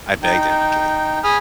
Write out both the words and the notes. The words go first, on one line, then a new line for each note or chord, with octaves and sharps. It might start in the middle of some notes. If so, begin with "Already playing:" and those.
I begged him. "Ca
D#4 G5
G#4 G#5 B5 D#6 F6